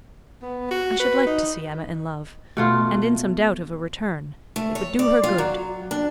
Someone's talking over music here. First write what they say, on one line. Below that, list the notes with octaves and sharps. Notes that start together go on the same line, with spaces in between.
I should like to see Emma in love, and in some doubt of a return; it would do her good.
B3
F#4
B4
D#4
B2 A3 F4
A3
C#5
D5
F4
F#3
D4